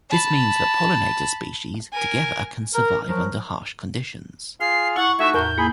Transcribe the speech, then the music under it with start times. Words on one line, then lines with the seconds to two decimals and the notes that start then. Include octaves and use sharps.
This means that pollinator species together can survive under harsh conditions.
0.10 A5 B5
1.93 A#4 G#5
2.74 A#4
3.08 F3 F#3 A#4
4.60 F4 G#4 F6 C7
4.96 E4 F#5 C#6 A6
5.19 A3 D#4 F#4 E5 G#6
5.34 E2 A2 A#4 C#6 G6
5.58 A#3 E4 G#4 B5